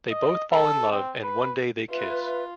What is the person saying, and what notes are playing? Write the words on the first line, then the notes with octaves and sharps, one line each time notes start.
They both fall in love and one day they kiss.
D#5
A4
C4
B4
F4 B4 E5